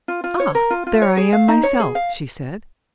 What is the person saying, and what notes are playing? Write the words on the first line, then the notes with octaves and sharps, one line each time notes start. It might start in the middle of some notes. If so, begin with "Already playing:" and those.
"Ah, there I am myself!" she said.
F4
F4
C#5
A#4
F4
F4
C#5
G#4
F5
D#4
C#5
G#4
F5